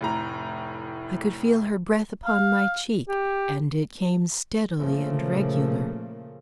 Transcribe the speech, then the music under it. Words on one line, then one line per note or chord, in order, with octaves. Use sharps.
I could feel her breath upon my cheek and it came steadily and regular.
F1 A2 A#5
F5
G4
A#2 C#3 F3 A3 A#3